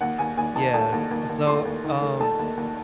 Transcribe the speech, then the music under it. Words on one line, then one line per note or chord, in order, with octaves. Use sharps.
S yeah, so, um,
D#2 F#5
D#2 G#5
D#2 G#5
D#3 A5
A3 A5
D#2
D#2
D#2
A3 C6
D#2
D#3
A3
A3 A5
D#2
D#2